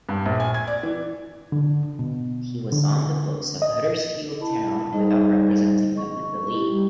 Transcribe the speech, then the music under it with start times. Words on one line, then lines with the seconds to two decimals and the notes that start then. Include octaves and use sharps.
He was on the books of Huddersfield Town without representing them in the league.
0.09 G2
0.26 A#1
0.40 G#5
0.54 G#6
0.67 D5
0.83 E3
1.52 D3
1.99 B2
2.73 D3
3.62 D#5
4.40 E4 A5 B5
4.93 G3 D#4 G#4 C5 D#5
5.95 D#5 C#6
6.51 E4 G4
6.68 G3 G4